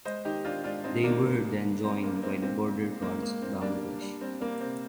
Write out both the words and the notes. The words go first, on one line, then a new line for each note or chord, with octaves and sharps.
They were then joined by the Border Guards Bangladesh.
G#3 C5 D#5
D#3 D#4 G4
D#3 D4 F4
G#2 D4 F4
G#2 C4 D#4
D#3 A#3 D4
G2
G#3
G2
G2 C4
G2 A#3
A#3
G#3 C4
A#2 C4
A#2
A#2
G#3 A#3
G#3 A#3
A#2 C4
G3 A#3 D4
G3
G3
G3 C4
G3 A#3
C3 C4